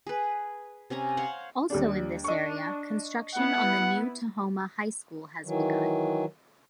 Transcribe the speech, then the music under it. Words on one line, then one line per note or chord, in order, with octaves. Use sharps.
Also in this area, construction on the new Tahoma High School has begun.
G#4 B4
C3 C#4 G#5 A#5
C5 C#5 F5 F#5
D#2 G3 D4
D4 D#5 C#6
B3 E4 F#5
D#3 E3 F#3